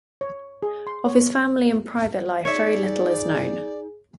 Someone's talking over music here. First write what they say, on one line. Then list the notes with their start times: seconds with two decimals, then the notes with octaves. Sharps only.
Of his family and private life very little is known.
0.21 C#5
0.63 G#4
0.87 C6
1.06 C#5
2.45 D#4 G#4 C#5 D5 E5